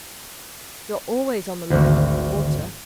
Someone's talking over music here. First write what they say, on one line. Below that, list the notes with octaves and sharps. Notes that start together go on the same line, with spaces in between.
"You're always on the lookout for water."
G#1 D2